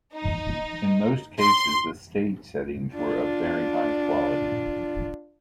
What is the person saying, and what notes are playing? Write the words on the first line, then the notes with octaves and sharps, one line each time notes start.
In most cases the stage settings were of very high quality.
D#4
C6
D4 F4